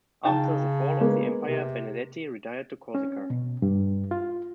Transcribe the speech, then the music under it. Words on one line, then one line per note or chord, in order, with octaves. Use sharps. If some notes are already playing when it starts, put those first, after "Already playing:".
After the fall of the Empire Benedetti retired to Corsica.
C#3 D#4 G5 A5
G#3 A#3 B3
C3
C#4
B2
G2
F4